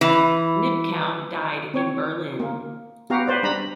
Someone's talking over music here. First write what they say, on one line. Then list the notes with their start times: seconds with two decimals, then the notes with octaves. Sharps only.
Nipkow died in Berlin.
0.01 E3
1.74 C4 C#5
2.40 A#3
3.10 B3 F#4 G4 F5 A#5
3.27 B4 C5 D5
3.43 G3 D4 A#5 B5